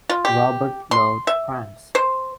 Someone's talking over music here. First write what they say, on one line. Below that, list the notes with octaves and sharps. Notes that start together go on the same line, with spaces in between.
Robert loved pranks.
F4
G4
C6
E5
C5